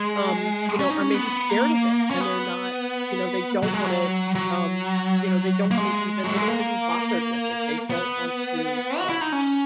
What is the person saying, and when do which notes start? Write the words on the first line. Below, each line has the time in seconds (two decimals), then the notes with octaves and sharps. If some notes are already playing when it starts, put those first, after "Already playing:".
um, you know, are maybe scared of it and they're not, you know, they don't wanna, um, you know, they don't want to even they don't want to be bothered with it. They don't want to, um,
Already playing: G#3
0.79 C#4
0.90 D#4
1.01 C#4
1.14 B3
1.50 A#3
2.10 C#4
2.21 B3
3.63 F#3
3.73 G#3
3.85 F#3
4.35 F#3
5.71 A#3
5.77 G#3
6.24 F#3
6.36 G#3
6.48 A#3
7.90 B3
8.98 F#4
9.09 E4
9.21 D#4
9.32 C#4